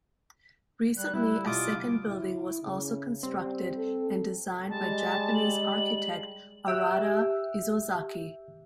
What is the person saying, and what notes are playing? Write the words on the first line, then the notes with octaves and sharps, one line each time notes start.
Recently a second building was also constructed and designed by Japanese architect Arata Isozaki.
G3 F#6
G3 E4
B2 F4 D6 D#6
E4
C#3
G3 C4
A4
G3 G#3 A5
F#7
G4 E5 E6 F#6